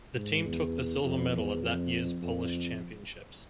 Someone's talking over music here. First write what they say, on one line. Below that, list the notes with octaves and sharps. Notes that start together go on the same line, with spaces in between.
The team took the silver medal at that years Polish Championships.
G#2
E2
F2
E2
F2
F2